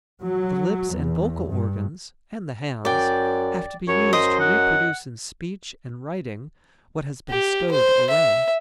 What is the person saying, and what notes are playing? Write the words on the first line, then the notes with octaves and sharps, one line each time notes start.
The lips and vocal organs, and the hands, have to be used to reproduce in speech and writing what has been stowed away.
F#3
E2
G2
F#2 D5 G5
F#2 C#5
C5 D#5
F#5
G4
C5
E5